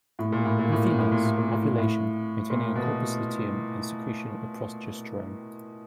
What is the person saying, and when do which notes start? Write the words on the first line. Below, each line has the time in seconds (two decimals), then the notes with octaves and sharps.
In females: ovulation, maintaining of corpus luteum and secretion of progesterone.
0.19 A2
0.32 A#2
0.45 A2
0.59 A#2
0.72 A2
0.85 A#2
0.98 A2
1.11 A#2
1.25 A2
1.38 A#2
1.51 A2
1.65 A#2
1.78 A2
2.50 A#2
2.76 B2